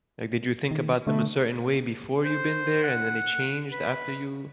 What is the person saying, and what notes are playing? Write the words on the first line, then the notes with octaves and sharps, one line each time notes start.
And did you think about them a certain way before you've been there, and then it changed after you
D#3
D3 A3
C5
F#5
B4